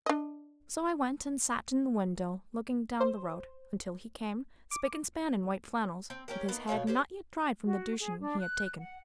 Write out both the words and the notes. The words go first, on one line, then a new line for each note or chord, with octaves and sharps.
So I went and sat in the window looking down the road, until he came, spick and span in white flannels, with his head not yet dried from the douching he had taken.
D4 D#5
C5
D6
C4
C#4 G4 A#4
A#3 B3 D#4
B2 D#3 C#5 F5
C#4 G4 C5
F#4
G#4
D4
F#6
F#5